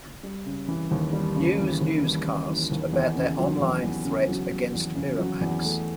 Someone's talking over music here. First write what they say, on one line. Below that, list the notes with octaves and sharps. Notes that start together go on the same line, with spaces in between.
News newscast about their online threat against Miramax.
G3
C#3
E3
D#2
G3
C#3
E3
D#2
G3
C#3
E3
D#2
E2
C#3
F#3
E2
E2
C#3
F#3
E2
E2
C#3
F#3
E2
A3